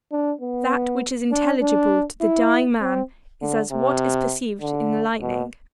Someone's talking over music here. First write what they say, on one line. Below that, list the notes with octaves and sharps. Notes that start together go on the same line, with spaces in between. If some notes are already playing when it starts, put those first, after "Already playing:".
That which is intelligible to the dying man is as what is perceived in the lightning.
D4
B3
D4
D4
E4
C4
D3
C3
D3
B2